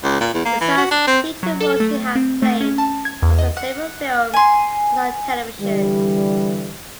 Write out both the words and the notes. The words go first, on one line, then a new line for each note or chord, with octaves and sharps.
Besides theatre roles she has played also in several films and on television.
C#2
A#2
E2
A#3
E3
F#4
D4
C4
F#3
A4
A3
C4
A3
C#4
A5
G#6
E2
D#5
F#5
G#5 C6
D3 E3 G3